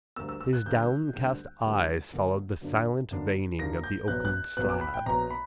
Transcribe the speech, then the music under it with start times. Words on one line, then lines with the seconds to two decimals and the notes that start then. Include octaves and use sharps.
His downcast eyes followed the silent veining of the oaken slab.
0.16 D2 D3 G3 A#3 E6
0.29 E6
0.41 E6
0.53 F#6
0.65 D2 D3 G3 A#3 G6
1.14 D2 D3 G3 A#3
1.63 D2 D3 G3 A#3
2.12 F#2 D3 A#3 D4
2.61 F#2 D3 A#3 D4
3.11 F#2 D3 A#3 D4
3.59 F#2 D3 A#3 D4 A#6
3.84 G6
4.08 A#1 A#2 F#3 B3 F#6
4.25 F#6
4.57 A#1 A#2 F#3 B3 F#6
4.69 D6
4.81 B5
4.94 G5
5.06 A#1 A#2 F#3 B3 A#5
5.31 B5